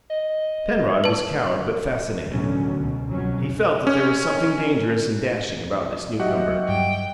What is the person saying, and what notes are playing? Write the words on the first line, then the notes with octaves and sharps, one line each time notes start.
Penrod was cowed but fascinated: he felt that there was something dangerous and dashing about this newcomer.
D#5
B4 A5
A1 D2 B2 D3 F#3 C#4
C#2 B2
C2 F2 B2 F#3 C#4
C#4
F#3 F#4 G4 D#5 E5 F#5
G2 G5